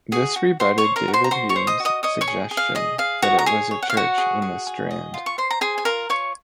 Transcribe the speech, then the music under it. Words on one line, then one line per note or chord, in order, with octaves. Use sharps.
This rebutted David Hume's suggestion that it was a church in the Strand.
F#4 G#4 G#5
F#4
F#4 C5 C6
C#5 C#6
C5
A#4 A#5
F#4
C5 C6
A#5
F#4 C5 C6
C#5 C#6
C5
D#5 D#6
F#4
D#5 D#6
C#5 D#5 D#6
C#5 C#6
G#4
G#4
F5
G#4 D#5
G#4 F5
F#4 C#5 F#5
A#5
G#4 C#5 G#5
C#5
F#5
F5
F#4 C#5 F#5
G#4
G#4
G#4
D#5
F4
C#6
C5 C6
A#5
G#4 C5 G#5
G#5
F4 A#4 A#5
F4 C#5 C#6